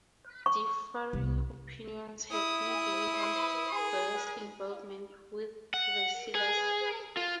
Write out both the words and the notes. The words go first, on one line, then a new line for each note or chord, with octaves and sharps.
Differing opinions have been given on Walyer's involvement with the sealers.
C#6
C2
E4 D#6
G#4
F#5
G#4
F4